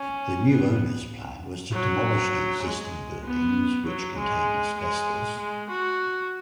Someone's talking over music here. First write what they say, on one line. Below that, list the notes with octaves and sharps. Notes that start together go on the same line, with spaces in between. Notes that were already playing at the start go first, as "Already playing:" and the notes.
The new owners plan was to demolish the existing buildings which contained asbestos.
Already playing: C#4
B3
F#3
G#3
B3
F#3
G#3
G#3
G#3
F#4